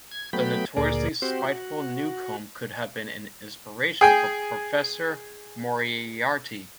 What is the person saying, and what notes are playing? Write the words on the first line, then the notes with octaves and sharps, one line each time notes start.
The notoriously spiteful Newcomb could have been an inspiration for Professor Moriarty.
G#6
F#3 A3 B3 G5 B5
D2 A#2 G#4 A#4 D5
C4 F#4 G4 C5
F#4
G#4 G5 G#5